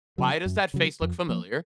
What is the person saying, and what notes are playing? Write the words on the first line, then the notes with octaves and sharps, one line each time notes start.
"Why does that face look familiar?"
C#3 F#3
F#2
C#3 F#3
F2
F3 A#3